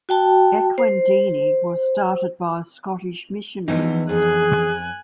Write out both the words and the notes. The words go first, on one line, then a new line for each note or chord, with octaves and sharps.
Ekwendeni was started by Scottish missionaries.
F#4 G5 A5
C5
E2 E3 F3 B3 D#4
F2 G#4 G#5 F#6